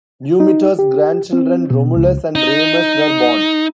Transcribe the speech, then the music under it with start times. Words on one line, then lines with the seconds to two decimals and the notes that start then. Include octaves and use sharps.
Numitor's grandchildren Romulus and Remus were born.
0.40 D#4
0.79 G4
1.33 C4
1.71 B2
1.97 C#2
2.35 D#4